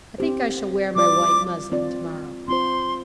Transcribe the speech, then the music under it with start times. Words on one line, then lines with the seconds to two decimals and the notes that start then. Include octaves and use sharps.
I think I shall wear my white muslin tomorrow.
0.18 C4 G4 C5
0.96 G3 F4 D5 D6
1.72 C4 F4 D5
2.48 C4 F4 C5 C6